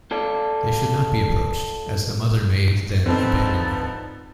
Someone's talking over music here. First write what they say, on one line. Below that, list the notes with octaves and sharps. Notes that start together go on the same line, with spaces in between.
They should not be approached, as the mother may then abandon them.
F4 A4 D5
D3 F3 C4 D#4 A4 B4